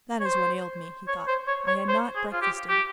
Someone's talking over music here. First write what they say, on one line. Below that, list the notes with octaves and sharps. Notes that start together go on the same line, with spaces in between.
"That is what ailed me," he thought; "I had not breakfasted."
C#5
C5
C#5
C5
C#5
C#5
C5
G#4
F4
G4
G4